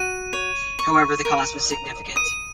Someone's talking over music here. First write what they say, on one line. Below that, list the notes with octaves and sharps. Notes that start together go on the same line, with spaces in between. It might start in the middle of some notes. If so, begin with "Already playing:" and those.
However, the cost was significant.
Already playing: F#4 D#7
C#5
C#6
A#4
A#5
D#6 D#7